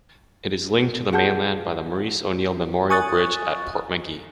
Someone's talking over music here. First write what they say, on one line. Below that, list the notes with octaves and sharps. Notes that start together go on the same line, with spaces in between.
It is linked to the mainland by the Maurice O'Neill Memorial Bridge at Portmagee.
F4 G#4 F#5 A5 G6
G#5 C#6 D#6 F#6 A6